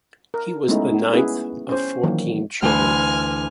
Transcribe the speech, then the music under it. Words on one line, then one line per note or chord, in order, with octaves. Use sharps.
He was the ninth of fourteen children.
A#4
G#3 A3 B3 C#4 D#4 E4
B3 C#4 E4 G#4 B4
C#4 C5
D#3 E3 F#3 A#3
D2 E3 G#5 C6 F6